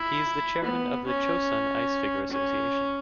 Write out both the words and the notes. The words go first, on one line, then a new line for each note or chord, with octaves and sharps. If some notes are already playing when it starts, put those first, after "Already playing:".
He is the chairman of the Chosun Ice Figure Association.
Already playing: E4
B3
C#4
C#4